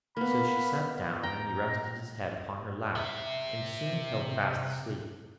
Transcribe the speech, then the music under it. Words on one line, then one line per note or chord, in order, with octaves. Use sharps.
So she sat down, and he rested his head upon her lap, and soon fell fast asleep.
A#3 B3 B5
G5 A#5
C3 E5